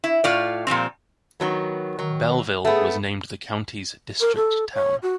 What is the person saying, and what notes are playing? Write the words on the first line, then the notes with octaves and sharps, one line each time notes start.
Belleville was named the county's District Town.
E4
A2 F4 D5
A#2 F3 G3 C4
D#3 F#3 B3
D#3 F#3
A3 B3 G#4
A#4
A4
C#5
F#4